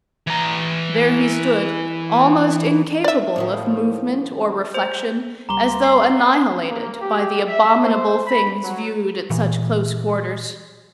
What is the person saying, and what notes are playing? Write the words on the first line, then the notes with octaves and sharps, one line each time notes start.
There he stood, almost incapable of movement or reflection, as though annihilated by the abominable things viewed at such close quarters.
E3 A#5
D5 E5
A2 D#3 F3
C5
C#2 G3 A#5 C6 D6 G7
C7
A#3
G4
E5
C5
B5
F#3
A#2 E3